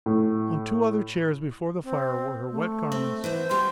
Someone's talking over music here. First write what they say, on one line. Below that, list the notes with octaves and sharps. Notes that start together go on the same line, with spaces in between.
On two other chairs before the fire were her wet garments.
A2
C4
A3
C4
E3 B3 C5 E5
G3 F#4 G4 C6